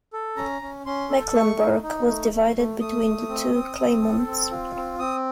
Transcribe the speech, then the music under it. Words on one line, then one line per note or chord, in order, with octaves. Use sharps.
Mecklenburg was divided between the two claimants.
A4
C#4 A#5
C#4
C#4 C6
A4
A3 C#6
D#4
D#4
A3
A3
A3
A3 D#6
A3
C4
C4
C4
A4
C4
F4
C4
C4 D#6